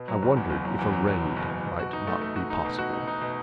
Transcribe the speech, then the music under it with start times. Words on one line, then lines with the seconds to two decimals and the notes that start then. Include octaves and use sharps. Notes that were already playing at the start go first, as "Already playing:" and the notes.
I wondered if a raid might not be possible.
Already playing: B2
0.08 F#3
0.22 F#1
0.37 E2
0.50 F#1
0.65 F#3
0.79 E2
0.93 F#3
1.07 F#3
1.21 B2
1.36 F#1
1.51 F#1
1.65 B2
1.79 F#4
1.93 D#4
2.07 A3
2.21 A3
2.36 F#4
2.50 D#4
2.65 B2
2.79 F#4
2.93 D#4
3.08 D#4
3.21 B2